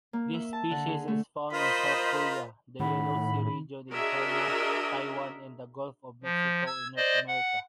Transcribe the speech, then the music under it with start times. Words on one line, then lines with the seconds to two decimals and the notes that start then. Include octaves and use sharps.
This species is found in South Korea, the Yellow Sea region in China, Taiwan and the Gulf of Mexico in North America.
0.13 A#3
0.34 E5
0.53 A5
0.71 D3
0.88 G#4
1.08 A3
1.53 F4 A#4 C5 D#5 B5 B6
2.80 A2 D#3 D#4 F#5 B5
3.92 D4 F#4 G#4 A#4 D#5 E5
6.24 F3
6.66 E6 G#6
6.97 C5 D5 D#5
7.28 F#5